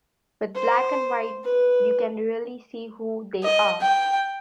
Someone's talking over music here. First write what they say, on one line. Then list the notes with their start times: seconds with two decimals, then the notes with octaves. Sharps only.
With black and white, you can really see who they are.
0.55 C5
1.44 B4
3.44 D#5
3.82 G5